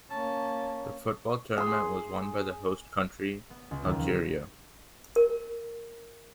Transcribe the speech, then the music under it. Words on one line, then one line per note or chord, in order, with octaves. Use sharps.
The football tournament was won by the host country Algeria.
A#3 C#4 A5
G#4 C6
B3
C#2
D#2
F3
A#4